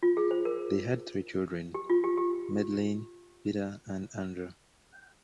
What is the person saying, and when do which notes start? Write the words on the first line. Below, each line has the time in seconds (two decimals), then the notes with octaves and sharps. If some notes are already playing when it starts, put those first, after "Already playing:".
They had three children: Madeline, Peter, and Andrew.
0.03 F4
0.17 G#4
0.31 C5
0.45 A#4
1.74 G4
1.90 F4
2.04 G4
2.17 G4